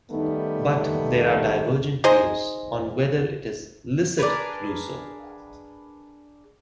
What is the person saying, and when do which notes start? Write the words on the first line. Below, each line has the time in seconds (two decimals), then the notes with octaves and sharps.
But, there are divergent views on whether it is licit to do so.
0.11 D#3 G3 A3 B3 D#4
2.04 D#4 G#4 C5 D#5
4.19 D4 G#4 A#4 B4